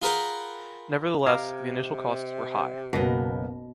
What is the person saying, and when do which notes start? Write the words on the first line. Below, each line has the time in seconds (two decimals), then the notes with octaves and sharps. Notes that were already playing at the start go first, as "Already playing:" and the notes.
Neverthless, the initial costs were high.
0.02 F4 G#4 A#4 B4 F#5 G5
1.26 C3 A#4 D#5 F5 D6 G#6
2.93 F#1 B1 B2 A#3 B3 D#5